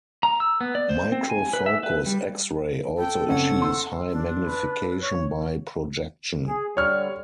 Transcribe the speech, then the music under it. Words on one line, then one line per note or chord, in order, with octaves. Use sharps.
Microfocus X-ray also achieves high magnification by projection.
A#5
E6
B3
D5
C5
C4
G#5
B4
E5
B4
G3
A4 G5
F#1 C4 C#4 F#5
C6 E6
D4
B4
C#5
G#4
D3 G3 C#5 F6